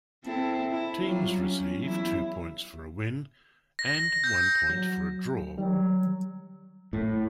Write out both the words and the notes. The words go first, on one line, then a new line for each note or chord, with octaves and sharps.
Teams received two points for a win and one point for a draw.
C4 E4 A4
E4
F#3 G3 F4
C#4
E2 F#3 E4
A#6
A#6
G6
F#3
D#3 F#3 G3
A2